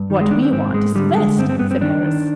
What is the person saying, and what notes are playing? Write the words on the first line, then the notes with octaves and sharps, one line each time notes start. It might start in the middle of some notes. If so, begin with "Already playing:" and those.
"What we want is rest," said Harris.
Already playing: G2
D#3
G#3
D#3 D4
C4
G#2 C4
G#2 G#3
D3 G3
D3 G#3
G2 C4
C4
G2 B3
C4
D#3 D4
D#3